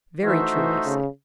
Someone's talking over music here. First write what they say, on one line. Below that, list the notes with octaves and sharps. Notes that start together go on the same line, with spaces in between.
Very true, he said.
E3 A3 D#4 F#4 C5 E5
E3
C#3